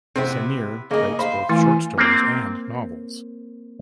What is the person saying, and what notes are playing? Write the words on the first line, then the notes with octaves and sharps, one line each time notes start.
Samir writes both short stories and novels.
C3 B3 C4 E4
C#3 A#3 D#4 G#4 D#5
C5 F5 B5
E3 A3 E4 G#5
A#3 C4